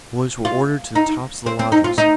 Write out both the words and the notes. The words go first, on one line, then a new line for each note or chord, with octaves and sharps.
The boys were ordered to the tops of the lodges.
F4
D#4
C4
C4
D#4
F4
D#4